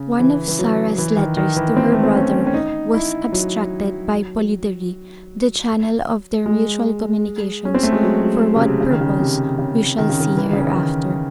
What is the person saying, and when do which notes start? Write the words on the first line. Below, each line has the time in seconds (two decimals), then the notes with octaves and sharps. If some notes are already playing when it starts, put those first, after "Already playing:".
One of Sarah's letters to her brother was abstracted by Polidori, the channel of their mutual communications; for what purpose we shall see hereafter.
Already playing: C#3
0.20 E3
0.48 E3
0.59 F#3
0.98 E3
1.17 D#3
1.37 D#3
1.56 E3
1.77 C4
1.92 A3
2.03 C4
2.15 C#4
2.47 C#4
2.54 D#4
2.94 E4
3.32 F#3
6.46 G#3
7.65 C#4
7.74 C4
7.83 A3
7.92 G#3
8.03 F#3
8.21 F#3
8.56 C#3
8.61 C3
8.81 C#3
8.90 D#3
9.01 C#3
9.19 C3
9.59 C#3
9.98 D#3
10.09 C#3
10.20 D#3
10.37 E3
10.45 D#3
10.53 C#3
10.61 D#3
10.76 D#3